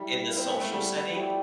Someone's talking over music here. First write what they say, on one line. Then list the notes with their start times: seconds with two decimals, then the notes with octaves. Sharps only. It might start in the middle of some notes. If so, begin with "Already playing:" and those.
in the social setting?
Already playing: G3 E4
0.28 B4 F5
0.37 C4
0.48 B3
0.60 A3
0.72 G3 B3
1.15 E4 G4 D5